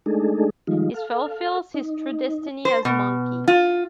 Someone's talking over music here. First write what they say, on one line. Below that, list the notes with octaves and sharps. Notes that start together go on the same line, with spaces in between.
This fulfils his true destiny as Monkey.
G#3 A3 D4 D#4 G#4 A4
D#3 F3 G3 G#3 D#4 F4
A4 F5
D#4
C5
B2
F4